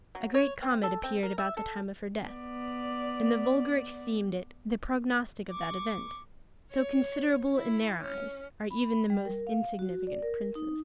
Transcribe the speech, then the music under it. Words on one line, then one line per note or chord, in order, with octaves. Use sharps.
A great comet appeared about the time of her death; and the vulgar esteemed it the prognostic of that event: so considerable in their eyes are even the most insignificant princes.
F#3
C#5
C4
A4
C4
A#4
E5
A4
B3 D5
C#6 D6
C#5
E4
C#4
B5
G3
A#4
F5
F#4
D5
A#4
D#4